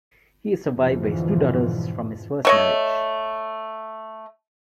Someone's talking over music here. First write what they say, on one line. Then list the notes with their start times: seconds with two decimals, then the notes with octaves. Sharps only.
He is survived by his two daughters from his first marriage.
0.72 F2 G#2 B2 D3 E3 F3
2.45 A3 C#5 D#5